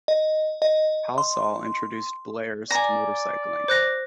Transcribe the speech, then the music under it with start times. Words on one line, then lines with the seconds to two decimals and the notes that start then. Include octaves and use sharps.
Halsall introduced Blears to motorcycling.
0.08 D#5
0.62 D#5
1.18 C6
2.71 D5 G#5 A#5
3.68 C5 F#6 A#6